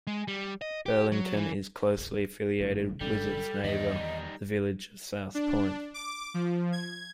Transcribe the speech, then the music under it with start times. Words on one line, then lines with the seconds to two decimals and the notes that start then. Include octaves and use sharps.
Burlington is closely affiliated with its neighbor, the village of South Point.
0.07 G#3
0.28 G3
0.61 D#5
0.86 G4
1.12 F#3
1.37 E3
2.60 G#1 F#2 A2
3.01 G1 F#2 D3 G3 A4
3.64 E2 D#3 G3 D#4 D#5
5.35 D4
5.94 D6
6.34 F3
6.72 G#6